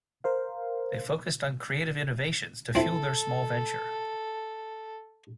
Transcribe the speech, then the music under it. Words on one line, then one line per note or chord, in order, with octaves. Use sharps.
They focused on creative innovations to fuel their small venture.
A#4 C5 F5
C4 E4 A4